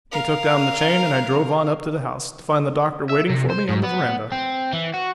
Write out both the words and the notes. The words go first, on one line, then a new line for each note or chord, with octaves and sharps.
He took down the chain and I drove on up to the house, to find the Doctor waiting for me on the veranda.
A#4 F5
E5
C3
C5
G#2
B3
C4
E3
F#4